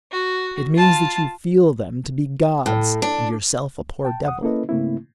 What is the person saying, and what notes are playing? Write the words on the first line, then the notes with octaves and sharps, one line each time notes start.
It means that you feel them to be gods and yourself a poor devil.
F#4
F4 A5
A2
D4
G5 A5
E2 F#5 D#6
A#3 C#4 E4 A4 B4 D#5
G#2 C#3 A3 A#3 C4 E4